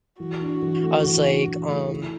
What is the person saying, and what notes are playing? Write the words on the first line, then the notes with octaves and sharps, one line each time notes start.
I was, like, um,
E3 F#4
D4
E3
A3
E3
D4
E3
A3
E4